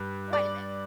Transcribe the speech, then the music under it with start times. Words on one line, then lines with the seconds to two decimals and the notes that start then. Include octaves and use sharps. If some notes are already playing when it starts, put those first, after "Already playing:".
quite a bit.
Already playing: G2
0.33 D5